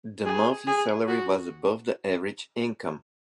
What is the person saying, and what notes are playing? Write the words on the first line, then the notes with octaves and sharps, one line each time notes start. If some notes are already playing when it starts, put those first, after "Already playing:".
The monthly salary was above the average income.
G#4
G#4
F#4